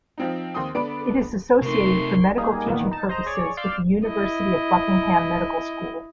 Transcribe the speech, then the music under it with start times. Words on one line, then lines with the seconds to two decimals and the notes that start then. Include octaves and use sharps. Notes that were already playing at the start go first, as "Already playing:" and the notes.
It is associated for medical teaching purposes with the University of Buckingham medical school.
0.18 F3 C4 D#4
0.55 D#2 C4 G5 C6 D#6
0.75 D3 B3 D4 D5 B5 D7
1.62 C3 A3 D#4 A#4 C6 C#6
2.38 G3 A#3 D#4 G#4
2.67 A#2 D#3 E3 A#3 B3
2.91 D#4 A5
3.09 C5 D#5 A#5
3.26 G#4 C#5 D5
3.57 D5 F5 C6 E6 F6 G6
4.06 E4 D#5